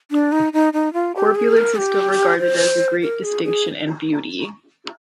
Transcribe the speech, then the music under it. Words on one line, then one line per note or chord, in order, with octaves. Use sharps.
Corpulence is still regarded as a great distinction and beauty.
D4
D#4
D#4
D#4
F4
G4
G#4
A#4
G4
C5
A#4
G#4
G#4